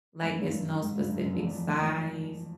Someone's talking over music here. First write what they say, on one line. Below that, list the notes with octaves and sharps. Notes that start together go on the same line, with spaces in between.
Like, it's no specific size,
F#2
G2
F#2
G#2
G2
F#2
F#2
F2
E2
F2
E2
E2